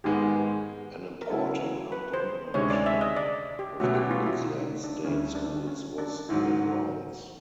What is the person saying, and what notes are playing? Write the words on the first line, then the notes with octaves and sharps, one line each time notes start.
An important component of Queensland state schools was their grounds.
G#2 D#3 G#3 B3 G4
G#4
A#4
C#3 F#3 B3 E4 A4
B4
C5
D2 C3 D#3 G#3 C#4 C#5
D5
E5
D#5
D5
G4
B2 F#3 A3 C#4 F#4
G4
F4
E4
D#4
D4
D2 D3 G3 C#4
D4
C#4
D4
G#2 D#3 F#3 E4